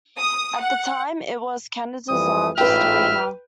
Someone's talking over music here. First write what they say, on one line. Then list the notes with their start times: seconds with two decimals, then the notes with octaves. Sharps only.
At the time, it was Canada's largest arena.
0.18 D#6
0.59 F#5
2.09 F2 E3 G3 D#6
2.58 A1 G#2 F4 B4 E5 G5 F6